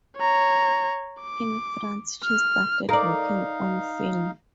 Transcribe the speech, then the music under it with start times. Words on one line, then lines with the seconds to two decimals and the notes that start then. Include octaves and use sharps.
In France she started working on film.
0.18 C#5 A#5
1.21 D6
2.23 F6
2.89 D#4 A#4 D5 F5